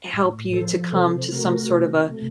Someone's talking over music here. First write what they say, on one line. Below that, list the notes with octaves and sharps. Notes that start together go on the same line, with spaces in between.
help you to come to some sort of a
A2
F3 A4 C5
C3 A4 C5
A3 F#4 A#4
C3
A3